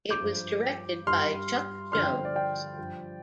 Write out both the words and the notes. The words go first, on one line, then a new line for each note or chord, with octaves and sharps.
It was directed by Chuck Jones.
D6 G6
G2 F3
G2 G3 C6 F6
G2 D3 F3 C6 F6
G5 C6
C5
D5
D5 G5
G2 F3